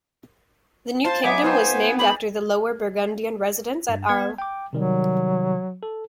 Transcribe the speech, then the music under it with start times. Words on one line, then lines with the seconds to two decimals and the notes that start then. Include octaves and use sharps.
The new kingdom was named after the Lower Burgundian residence at Arles.
1.04 F4 C5 A5
1.24 F#3 B3 D#4 E5 G#5 D6
1.44 B3 F4 G4 C5
1.99 G4 G#4 B5
3.89 G2
4.09 B3 G#6
4.38 G5 D6
4.73 C3 D#3 F#3 G3
5.83 A4